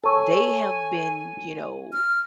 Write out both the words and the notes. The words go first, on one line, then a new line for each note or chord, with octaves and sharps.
they have been, you know,
A4 C#5 G#5
F6